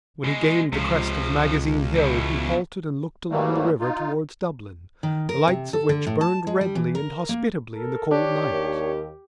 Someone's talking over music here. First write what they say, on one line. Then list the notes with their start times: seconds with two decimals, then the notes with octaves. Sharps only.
When he gained the crest of the Magazine Hill he halted and looked along the river towards Dublin, the lights of which burned redly and hospitably in the cold night.
0.24 B2 G#3
0.73 C#2 C3 F3
1.95 E2 B2
3.30 G#2 E3 F#3 G3 A3 A#3
3.80 D#4 F4
5.03 D#3
5.29 A#4
5.48 C3
5.73 A4
5.89 D3
6.07 A2
6.21 A5
6.47 G#3
6.61 G3
6.75 E3
6.95 A#4
7.29 A#3
7.75 A4 A#4
8.11 D4 G4 C#5
8.49 D#2 A#4